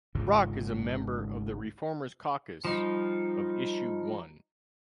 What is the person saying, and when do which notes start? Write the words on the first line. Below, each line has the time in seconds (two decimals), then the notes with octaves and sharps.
Brock is a member of the ReFormers Caucus of Issue One.
0.15 G#1 C#2 G#2 C#3
2.65 F3 G3 D#4